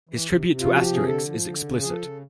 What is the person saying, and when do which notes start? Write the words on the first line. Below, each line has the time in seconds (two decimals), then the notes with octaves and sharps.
His tribute to "Asterix" is explicit.
0.09 E3
0.29 C3
0.48 C3
0.60 F4
0.67 F3 F#4
0.83 C3 G4
0.94 G#4
1.06 D3 A4
1.25 F3
1.44 D3
1.63 C#3
1.82 F3 G#4
1.92 A4
2.01 C#3